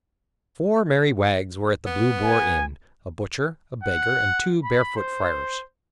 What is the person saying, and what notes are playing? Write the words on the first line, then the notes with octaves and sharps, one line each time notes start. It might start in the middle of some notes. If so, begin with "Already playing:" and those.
Four merry wags were at the Blue Boar Inn; a butcher, a beggar, and two barefoot friars.
B3
G#5
F#5
B5
C5